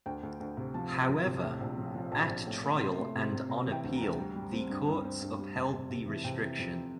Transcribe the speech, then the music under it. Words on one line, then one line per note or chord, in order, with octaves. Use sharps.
However, at trial and on appeal the courts upheld the restriction.
D2 G5
D2
D2
C3
F3 A5
C3
F3
C3
A2
A#1
F3
F3
A#1 A5
A#1
A2
A#3
C3 C6
A3
C3
C3
C3 A#5
E3
G5
D2
A#5
D2
G3
G3
C4
G2
G2
C4
G2
G3
F1 A5
C3
C3
E3
C3 G5
E3
F2